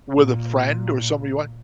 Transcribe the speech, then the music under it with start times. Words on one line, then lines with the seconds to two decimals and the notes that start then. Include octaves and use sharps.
with a friend, or somebody you want,
0.15 A#2